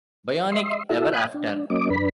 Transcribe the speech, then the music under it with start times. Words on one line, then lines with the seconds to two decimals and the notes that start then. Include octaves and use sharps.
Bionic Ever After?
0.52 D#5 E5 C6
0.89 E4 F#4 A4 E5
1.13 F5 G#5 B5 D#6 F#6
1.34 D4
1.70 F#3 A#3 C#4 D#5 D6
1.90 F#2 D4 B4 B5